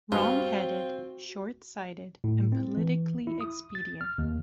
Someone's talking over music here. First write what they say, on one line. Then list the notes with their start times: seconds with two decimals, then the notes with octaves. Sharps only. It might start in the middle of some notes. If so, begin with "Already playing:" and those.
Wrongheaded, shortsighted, and politically expedient.
0.12 G2 C4 F4 F#4 F6
2.24 A2
2.52 C4
2.77 E3
3.27 E4
3.41 D#6
3.75 A6
4.01 F6
4.18 D#2